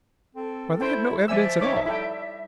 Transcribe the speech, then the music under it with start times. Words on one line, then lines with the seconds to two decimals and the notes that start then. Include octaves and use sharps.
Why they have no evidence at all!
0.35 C4 A4
0.81 E4 C5 G5
1.28 F3 D5 E5 G#5 E6
1.61 D#4 C#5 D6
1.86 G3 E4 A4 G5